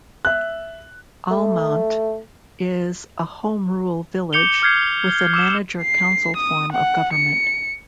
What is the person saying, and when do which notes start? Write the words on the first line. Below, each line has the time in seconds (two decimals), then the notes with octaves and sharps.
Almont is a home rule village with a manager-council form of government.
0.25 E5 F#6
1.31 A3
4.33 D6 G6 C#7 F7 G7
4.62 D6 F6 G6 G#6 C7
5.34 D6 E6 E7 G7
5.82 C7
6.37 D#6
6.73 F#5
7.14 C#7